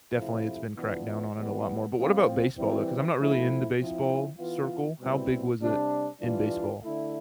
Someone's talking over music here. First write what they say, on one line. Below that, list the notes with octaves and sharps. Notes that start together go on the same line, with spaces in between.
definitely, it's been cracked down on it a lot more, but what about baseball, though? 'Cause I'm not really in the baseball circle. How big was it in baseball?
C3 F3 A3 E4
E3 B3 D4 F4
E3 G3 B3
A2 F3 C4
E3 G3 C4 E4
F3 A3 C4 E4
F3 C4 E4
E3 B3 F4
B2 G3 C4 E4
C3 G3 D4
E3 G3 D4 F4
D3 A3 E4